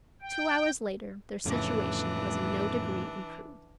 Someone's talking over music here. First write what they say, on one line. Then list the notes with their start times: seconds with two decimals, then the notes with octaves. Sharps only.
Two hours later, their situation was in no degree improved.
0.22 G5
1.45 F2 A2 C#3 E3 D4